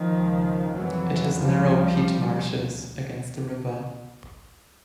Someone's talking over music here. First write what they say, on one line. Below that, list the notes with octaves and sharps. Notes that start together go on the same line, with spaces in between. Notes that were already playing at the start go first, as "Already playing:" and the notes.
It has narrow peat marshes against the river.
Already playing: D#3 F3
C#2 C#3
F2 C3 E3 F#3
C#2 C#3 F3 G3
D2 C#3